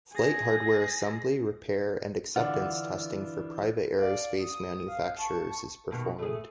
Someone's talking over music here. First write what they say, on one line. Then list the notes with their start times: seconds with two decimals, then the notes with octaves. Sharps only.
Flight hardware assembly, repair, and acceptance testing for private aerospace manufacturers is performed.
0.13 G#4 A#6
2.36 D3 E3 D4 F4 F#5
3.99 D5 F5
4.41 D#6
4.89 F5
5.19 A5 C#6
5.91 G2 B2 D#3
6.18 A3 G#4